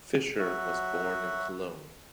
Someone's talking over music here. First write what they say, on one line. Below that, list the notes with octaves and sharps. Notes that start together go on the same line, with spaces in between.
Fisher was born in Cologne.
F#3 F#4 E5 F#5